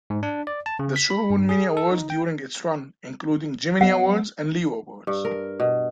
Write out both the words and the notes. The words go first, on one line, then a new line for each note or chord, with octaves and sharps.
The show won many awards during its run, including Gemini Awards and Leo Awards.
G#2
D4
D5
A5
C#3
B6
B5
G2
G#4
A4
D#4
G5
F#3 B3 D#5 F#5
G2
A#4
B2